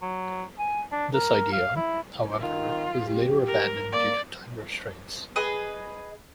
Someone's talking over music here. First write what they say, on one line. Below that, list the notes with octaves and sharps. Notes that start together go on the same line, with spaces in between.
This idea, however, was later abandoned due to time restraints.
F#3
G#5
D4
A#4
F5
E4
D#3 F4
G4
A#4
A#3 D5
G#4 B4 D#5